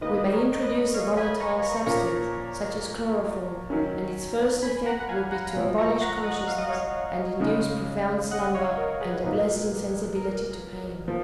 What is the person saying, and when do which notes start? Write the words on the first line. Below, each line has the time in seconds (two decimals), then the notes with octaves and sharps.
We may introduce a volatile substance, such as chloroform, and its first effect will be to abolish consciousness and induce profound slumber and a blessed insensibility to pain.
0.01 D#3 A#3 D#4 B4 D#5
0.33 A#4 C#5
0.63 B4 D#5
0.94 C#5 F5
1.17 G#5 B5
1.40 A#5 C#6
1.63 A#5 C#6
1.86 A#2 F3 A#3 C#4 A#5 C#6
3.70 D#3 F#3 C#4
4.62 G#5 B5
4.86 F#5 A#5
5.00 F#5
5.09 F5 G#5
5.32 F#5 A#5
5.54 A#2 F3 G#3
5.78 A#5 C#6
6.01 F#5 A#5
6.24 D#5 F#5
6.47 F5
6.58 D#5
6.69 C#5 F5
7.40 C#3 G#3 D#4
8.31 D#5 F#5
8.54 C#5 F5
8.77 A#4 C#5
9.01 G#4 B4
9.23 A#2 F#3 A#3 D#4
10.16 A#4
11.08 F3